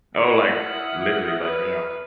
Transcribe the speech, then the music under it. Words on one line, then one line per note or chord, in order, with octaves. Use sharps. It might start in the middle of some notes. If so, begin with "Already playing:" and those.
Oh, like, literally, like, right now.
E4 F#5
E5 D#6 F6
B4